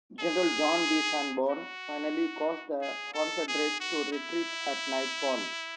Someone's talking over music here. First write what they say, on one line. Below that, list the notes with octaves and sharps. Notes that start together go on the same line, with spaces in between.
General John B. Sanborn finally caused the Confederates to retreat at nightfall.
G#4
F#4
G#4
A4
G#4
F#4
E4